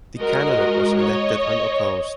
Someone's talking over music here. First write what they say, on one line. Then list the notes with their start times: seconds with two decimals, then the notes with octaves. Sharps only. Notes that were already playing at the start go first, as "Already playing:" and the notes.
The candidate was elected unopposed.
0.19 G#3 F#4 A#4 D#5
0.96 C#5 D#5